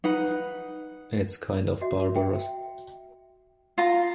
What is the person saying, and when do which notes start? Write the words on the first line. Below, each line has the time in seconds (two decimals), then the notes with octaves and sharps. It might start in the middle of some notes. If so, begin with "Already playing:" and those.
It's kind of barbarous.
0.04 D#4 B4 F#5
1.81 F#4 D#5 E5
2.16 E5 G5
3.78 F4 A#5